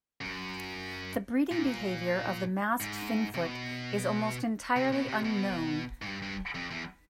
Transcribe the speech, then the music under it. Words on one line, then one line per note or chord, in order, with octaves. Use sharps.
The breeding behaviour of the masked finfoot is almost entirely unknown.
F#2
A#2
G#2
C3
B2
C3
B2
C3
B2
G#2
G2
G2
F2
E2